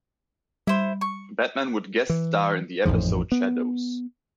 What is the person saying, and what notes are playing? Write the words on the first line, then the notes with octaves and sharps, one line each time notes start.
Batman would guest-star in the episode "Shadows".
G3 E4 C5
C#6
E3
A1 F2 G#2 F3
B3